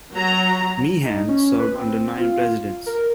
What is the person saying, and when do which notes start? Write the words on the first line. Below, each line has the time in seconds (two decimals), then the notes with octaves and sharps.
Meehan served under nine presidents.
0.13 F#3 A#5
1.05 D#4
1.28 C#4
1.59 B4
1.75 C4
2.18 F4
2.86 A#4